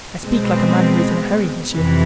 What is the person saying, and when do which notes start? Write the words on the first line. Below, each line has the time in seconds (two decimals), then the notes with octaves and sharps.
"I speak like a man who is in a hurry, monsieur."
0.23 B2 G#3 C4
1.72 F2 C3 E3